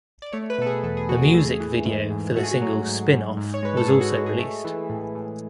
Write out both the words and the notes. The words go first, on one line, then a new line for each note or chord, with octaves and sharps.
The music video for the single "Spin Off" was also released.
D5
A3 C#5
B4
B2 A4
G#4
E2 A4
G#4
E2 F#4
G#4
A3
E3
G#2
G#2
A3 F#4
G#4
F#4
F#3
G#2
G#2
G#2
C#5
G#3 B4
A4
G#2 G#4
F#4
G#3 F#4
G#4
A3
E3
A2
A2